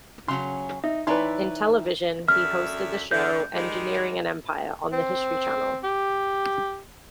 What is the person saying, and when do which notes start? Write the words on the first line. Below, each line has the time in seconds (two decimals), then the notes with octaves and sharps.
In television, he hosted the show "Engineering an Empire" on the History Channel.
0.28 C#3 F#3 C#4 C6
0.84 D#4 E5
1.07 E3 D#4 E4 B4 C#5 D5 A#5 C6
2.28 F#2 D3 E5 F6
3.11 D3 G6
3.55 D#3 G3 G#3
4.92 C4
5.84 G4